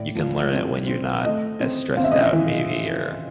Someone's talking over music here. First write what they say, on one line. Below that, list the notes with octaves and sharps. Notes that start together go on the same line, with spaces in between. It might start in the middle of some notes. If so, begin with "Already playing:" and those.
you can learn it when you're not as stressed out maybe or
Already playing: A2 D5
F3
C4
C4
A3 D#5
C4
C4 F5
E5
D#5
E5
E3